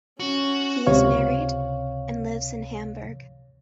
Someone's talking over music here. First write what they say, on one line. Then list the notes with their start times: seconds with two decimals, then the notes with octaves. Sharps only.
He is married and lives in Hamburg.
0.20 C#4 F#4
0.86 C#2 C3 C#5 F5